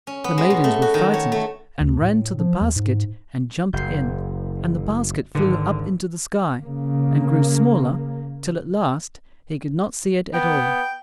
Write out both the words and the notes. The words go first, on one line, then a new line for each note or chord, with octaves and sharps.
The maidens were frightened, and ran to the basket and jumped in, and the basket flew up into the sky, and grew smaller till at last he could not see it at all.
C#4
B3
G#3
B2
A3
F#4
D#3
C#5
A3
D2
A2
F3
E2
G#2
F#1 G6 C7
G#1 D3
C#3 A#3
B3 G5